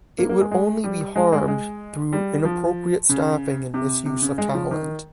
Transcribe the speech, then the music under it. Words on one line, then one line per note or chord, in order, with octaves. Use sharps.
It would only be harmed through inappropriate staffing and misuse of talent.
A#3
A#3
G#3
G#3
G3
G#3
G#3
G#3
G3
F3
C#3
C3
C3
C#3
G#3
F3
D#3